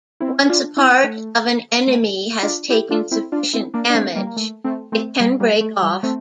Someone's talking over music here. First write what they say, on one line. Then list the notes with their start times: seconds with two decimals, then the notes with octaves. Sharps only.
Once a part of an enemy has taken sufficient damage, it can break off.
0.20 C4 E4
0.49 D4 F4
0.77 C4 E4
1.04 A3
1.87 A3
2.43 D4 F4
2.70 E4 G4
2.91 D4 F4
3.11 C4 E4
3.32 D4 F4
3.53 C4 E4
3.74 A#3 D4
3.90 D4
3.95 A3 C4
4.15 G3 A#3
4.27 A#3
4.36 A3
4.64 A3 C4
4.92 A3 C4
5.20 G3 A#3
5.40 G3 A#3
5.61 A3
5.83 G3
6.03 A3 C4